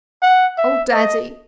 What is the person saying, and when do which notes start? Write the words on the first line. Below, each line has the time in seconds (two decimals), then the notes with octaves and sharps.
Oh, daddy!
0.22 F#5
0.58 E5
0.93 D#5